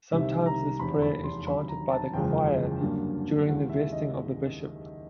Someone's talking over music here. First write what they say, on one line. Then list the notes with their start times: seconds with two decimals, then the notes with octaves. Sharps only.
Sometimes this prayer is chanted by the choir during the vesting of the bishop.
0.12 C2 C3 D#3 E5
0.46 A#5
0.80 F1 E2 C3 B5
1.02 B5
1.24 C6
1.47 D#2 D3 F#3 B5
1.68 A#5
1.91 A5
2.13 F#1 E2 C#3 F3 G#3 G5
2.80 G2 D3 F#3 A#3
3.47 D#2 C#3 E3 G#3 F#5
3.70 E5
3.92 D#5